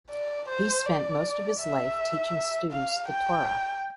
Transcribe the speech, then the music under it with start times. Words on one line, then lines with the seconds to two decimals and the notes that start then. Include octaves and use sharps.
He spent most of his life teaching students the Torah.
0.11 D5
0.49 C5
0.85 D5
1.61 E5
2.72 F5
3.09 G5